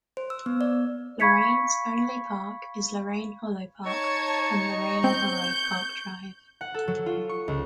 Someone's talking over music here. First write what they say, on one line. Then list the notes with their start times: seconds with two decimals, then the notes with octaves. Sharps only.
Lorane's only park is Lorane Hollow Park on Lorane Hollow Park Drive.
0.17 C5
0.30 E6
0.46 B3
0.61 D5
1.20 F5 B5 C#6 G#6 B6 C#7
3.86 D#4 C#5 A5 C#6 G#6
5.04 C4 G6
6.61 F#5
6.74 A4
6.88 F#3
7.06 F4
7.29 C#6
7.48 C#2